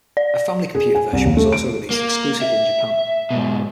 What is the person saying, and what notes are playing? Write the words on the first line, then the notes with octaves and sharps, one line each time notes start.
A Family Computer version was also released exclusively in Japan.
D5
G#4
G#5
C2
D#2
A3
D7
A#3
E5
G#2 B2